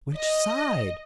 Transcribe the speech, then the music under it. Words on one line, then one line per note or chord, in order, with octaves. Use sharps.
"Which side?"
D#5